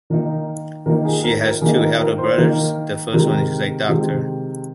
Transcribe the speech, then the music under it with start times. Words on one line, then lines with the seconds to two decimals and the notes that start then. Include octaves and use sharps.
She has two elder brothers, the first one is a doctor.
0.10 D#3 A#3 D#4 A#4
0.86 D#3 A#3 D#4 A#4
1.05 G#4
1.23 A#4
1.44 A#4
1.61 D#3 A#3 D#4 G#4
1.80 A#4
1.99 A#4
2.18 C5
2.38 D#3 A#3 D#4 A#4
3.13 C3 D#3 G#3 A#4
3.89 C3 D#3 G#3